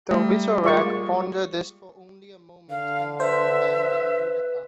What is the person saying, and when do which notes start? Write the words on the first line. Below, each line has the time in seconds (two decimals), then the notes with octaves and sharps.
The Visorak ponder this for only a moment and then abandon Roodaka.
0.11 G3 A3
0.64 G#3 A#3 F4 D5 C#6
2.70 D3 F5
3.20 B4 C5 E5